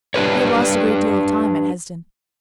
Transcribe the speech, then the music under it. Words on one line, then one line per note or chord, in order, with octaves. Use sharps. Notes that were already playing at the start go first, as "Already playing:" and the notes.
He had lost a great deal of time at Hesdin.
D4 G4 B4 C#5